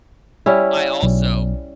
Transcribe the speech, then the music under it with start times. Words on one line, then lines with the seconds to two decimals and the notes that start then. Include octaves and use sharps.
I also
0.46 G3 C#4 E4
1.03 B1